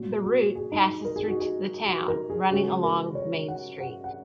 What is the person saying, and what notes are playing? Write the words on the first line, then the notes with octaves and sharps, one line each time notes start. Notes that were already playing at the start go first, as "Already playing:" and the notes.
The route passes through the town, running along Main Street.
Already playing: A#2 A#3 C#4 F#4
G#4
F#4
G#4
D#4
A#4
G#4
F#4
G#4
F#4
A#4
G#4
C#3 G#3 C#4 F#4
A#4
C#5
F#5
F#5
F#5